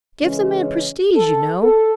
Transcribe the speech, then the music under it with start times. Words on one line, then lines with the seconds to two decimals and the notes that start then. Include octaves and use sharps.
'Gives a man prestige, you know.
0.21 C#3 E3 G#3 C#4
1.15 A4
1.61 A4